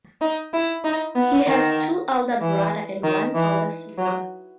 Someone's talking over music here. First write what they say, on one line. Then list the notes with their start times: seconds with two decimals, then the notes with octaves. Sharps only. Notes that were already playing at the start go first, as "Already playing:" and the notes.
He has two elder brother and one elder sister.
0.21 D#4
0.53 E4
0.84 D#4
1.15 B3
1.47 D#3
2.41 E3
3.03 D#3
3.35 E3
3.98 F#3